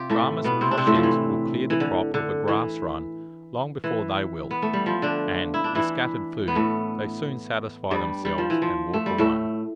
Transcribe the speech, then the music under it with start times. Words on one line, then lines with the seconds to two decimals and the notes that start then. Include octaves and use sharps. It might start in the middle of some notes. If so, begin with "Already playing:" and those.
Brahmas or Cochins will clear the crop of a grass-run long before they will, and, with scattered food, they soon satisfy themselves and walk away.
Already playing: C3 F4 G4
0.10 A2 A3
0.44 B2 B3
0.61 C3 C4
0.71 D4
0.78 C3 C4
0.87 A2 A3
0.95 F3
1.03 E3
1.70 E3
1.80 D3
2.14 D3
2.48 E3
3.84 E3
4.51 B3
4.62 A3
4.73 G3
4.86 F3
5.02 D3 D4
5.54 E4
5.64 D4
5.75 E3 E4
6.48 B3
6.55 A2 A3
7.91 G2 G3
8.25 G3
8.38 F3
8.50 E3
8.62 F3
8.94 A3
9.06 G3
9.18 A2 A3